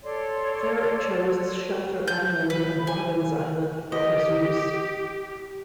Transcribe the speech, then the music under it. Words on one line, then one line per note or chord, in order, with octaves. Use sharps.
Farret chose Shelter Island and Robins Island for his use.
A4 C#5 D5 C6
G6
B4
G#5
G4 D#5